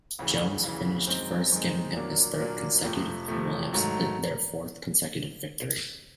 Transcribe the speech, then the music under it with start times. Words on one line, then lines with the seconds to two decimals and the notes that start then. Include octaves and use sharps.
Jones finished first giving him his third consecutive and Williams their fourth consecutive victory.
0.19 D2 C#3 E3
0.63 D2 C#3 E3
1.07 F#2 D#3 G#3 C4
1.52 F#2 D#3 G#3 C4
1.96 A#2 F#3 A#3 D4
2.40 A#2 F#3 A#3 D4
2.84 F2 C3 F3 A3
3.28 F2 C3 F3 A3
3.73 G#2 D#3 F#3 A3